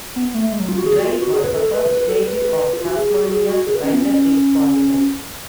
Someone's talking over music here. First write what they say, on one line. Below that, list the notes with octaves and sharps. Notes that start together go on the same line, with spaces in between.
Dry was the first native of Tasmania to enter its parliament.
B3
A3
G#3
F#3
F4
F#4
G#4
F#4
F4
F#4
G#4
C#5
B4
A4
B4
B4
A4
B4
F4
F#4
G#4
F#4
G#4
F#4
G#4
B4
C#4
B3
C#4